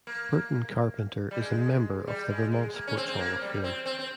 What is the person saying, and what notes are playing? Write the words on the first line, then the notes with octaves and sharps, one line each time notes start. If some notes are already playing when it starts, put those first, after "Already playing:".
Burton Carpenter is a member of the Vermont Sports Hall of Fame.
A#3
G3
G#3
G3
G#3
G#3
A#3
C#4
C4
C4
A#3
G3
C4
C4
C4